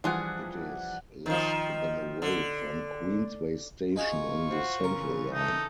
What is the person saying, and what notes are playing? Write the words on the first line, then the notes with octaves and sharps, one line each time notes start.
It is less than away from Queensway station on the Central line.
E3 F3 G3 D4 F4 G#4 F#5
D#3 F3
D3
D#4 F4 G#4 F5 C#6
F#4 C5
C#3 E3 A#4
A3 D#4 A4